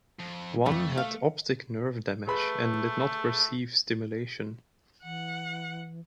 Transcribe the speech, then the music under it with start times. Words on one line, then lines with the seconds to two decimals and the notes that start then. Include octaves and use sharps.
One had optic nerve damage and did not perceive stimulation.
0.20 F2
0.66 F2 A3
0.97 F5
2.27 A3 G#4 B4 B5
5.04 E3 F#5